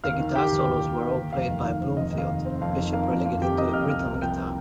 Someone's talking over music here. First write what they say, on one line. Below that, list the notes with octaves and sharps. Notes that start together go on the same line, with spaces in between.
The guitar solos were all played by Bloomfield, Bishop relegated to rhythm guitar.
D#2 F5 F6
D#3
A#3 G4 G5
D#2
D#2
D#3
A#3
D#2
F1 F5
D#2
D#3 F5
C4
F1 D#5
D#2
F5
D#3
C4
F2 F5
D#3
A#3 F5
F2
F2 F5
D#3 G4 G5
A#3 D#5 D#6
F2 F5 F6
C2 F5 F6
C3
F3 G5 G6
A#3